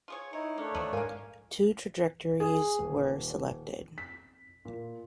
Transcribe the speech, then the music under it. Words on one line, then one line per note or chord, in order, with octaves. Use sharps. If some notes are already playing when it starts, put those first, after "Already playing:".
Two trajectories were selected.
F4 G#4 C#5
D#4 E4 C#5
A3 A#3 D4 C#5
D#2 F3 F#3
G#2 A#3 A#4 F5 G#5
G#4
D#1
B6
A#2